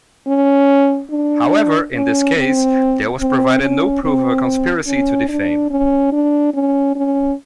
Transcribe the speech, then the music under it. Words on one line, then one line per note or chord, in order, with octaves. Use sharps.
However, in this case, there was provided no proof of a conspiracy to defame.
C#4
D4
C#4
C4
C4
C#4
C4
C#4
D4
C#4
D4
C#4
C#4